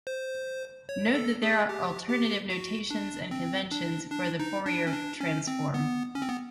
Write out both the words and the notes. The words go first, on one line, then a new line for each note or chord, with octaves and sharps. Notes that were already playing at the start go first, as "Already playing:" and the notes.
Note that there are alternative notations and conventions for the Fourier transform.
C5
C#5
A4
G#4
G4
G4
F#4
D4
C4
D4
D4
D#4
D4
C#4
D4
C#4
C4
B3
C#4
C4
B3